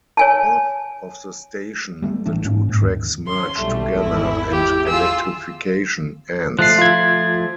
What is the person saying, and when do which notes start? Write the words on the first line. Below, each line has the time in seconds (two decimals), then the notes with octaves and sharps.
North of the station, the two tracks merge together and electrification ends.
0.17 C#5 G#5 A5
2.02 G3 A3 B3
2.26 A1 E3 A3 D4
2.45 G#2 A#3 C#4
2.69 G#2
2.82 D#2 D#3
3.28 C#4 C6
3.59 B1 G3 A3
3.96 G#1 E2 E4
4.51 G4
4.88 F4 G#4 E6
6.59 F3 A3 F#6 C7
6.78 F4 G#6